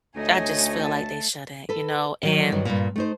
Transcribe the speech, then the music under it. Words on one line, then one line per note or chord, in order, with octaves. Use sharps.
I just feel like they shouldn't, you know, and
D2 A3 D#4 C#5 D#5 G#5
A5
A4 B4
D#3 F#3
G2 D#3 F#3
G2 A#2
A3 D#4 C5